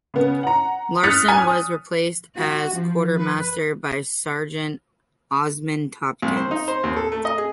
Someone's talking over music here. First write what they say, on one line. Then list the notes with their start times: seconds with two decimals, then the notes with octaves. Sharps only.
Larsen was replaced as quartermaster by Sergeant Osmond Tompkins.
0.14 C#3 B3
0.43 F#5 A#5
1.04 D#6 F6 F#6 A6 B6 C#7
1.28 G#5
1.42 D#6
2.36 F#4
2.74 F3
3.19 B4
6.22 C2
6.37 C5
6.51 D#4
6.68 C5
6.83 D#2
6.96 A4
7.12 A3
7.25 D#5
7.38 G#4